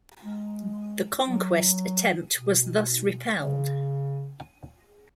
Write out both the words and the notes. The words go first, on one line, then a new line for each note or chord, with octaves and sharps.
The conquest attempt was thus repelled.
G#3
F#3
B2
C#3